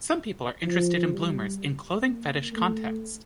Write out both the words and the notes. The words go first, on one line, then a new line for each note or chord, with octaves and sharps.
Some people are interested in bloomers in clothing fetish context.
F3
G3
A#3
A3